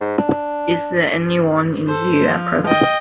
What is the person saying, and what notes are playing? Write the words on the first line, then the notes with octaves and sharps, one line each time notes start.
Is there any one in view at present?
G#2
D4
A4 C5
F3
D#5 G5